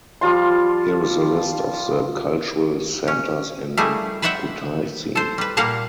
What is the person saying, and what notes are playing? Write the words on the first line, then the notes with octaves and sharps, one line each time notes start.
Here is a list of the cultural centers in Kutaisi.
F3 G3 F4 C6
C#4
G3 A3 A#3 E4 G#4
B4 C5 D5 E5 F#5 G5
A4 C5
G3 B4
A#2 G3 A#3 F5 F#5 A5